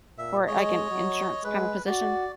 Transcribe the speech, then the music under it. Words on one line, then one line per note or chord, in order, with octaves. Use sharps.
for, like, an insurance kinda position.
A#2 E5
G#3 C#5 D#5
F#3
G#3 B4
F#4 D5